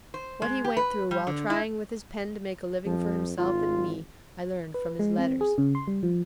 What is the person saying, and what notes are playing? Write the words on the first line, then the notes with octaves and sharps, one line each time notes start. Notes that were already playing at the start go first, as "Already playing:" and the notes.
What he went through while trying with his pen to make a living for himself and me I learned from his letters.
C5
G#3
G4
B4
G3
D3
E4
F2 F3
G#1 F4
B4
G#3
C4
G#4
C#3
C6
G3
F3